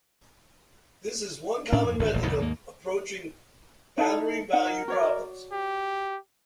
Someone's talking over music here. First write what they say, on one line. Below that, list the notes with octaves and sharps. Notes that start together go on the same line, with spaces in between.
This is one common method of approaching boundary value problems.
A2 C#4 D4
F2 G#2
G#1 D2 D3
D#1 A1 A#2
C2 F2 D3
D#2 G#2 E3 A#3
D#4 E4 A4
D#4 A#4 F#5
F#4 C#5 D5
G4